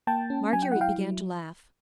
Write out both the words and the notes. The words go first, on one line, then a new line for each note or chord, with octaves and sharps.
Marguerite began to laugh.
A#3 G5 A5
C#4
F#3 G#5
G5
E4 F#5
F5 G5
F#3